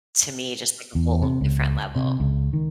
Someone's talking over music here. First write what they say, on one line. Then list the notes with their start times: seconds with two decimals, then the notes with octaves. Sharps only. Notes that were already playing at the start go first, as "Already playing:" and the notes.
to me just like a whole different level.
0.95 E2
1.22 C3
1.41 C#2
1.96 C3
2.20 C#2
2.53 D#3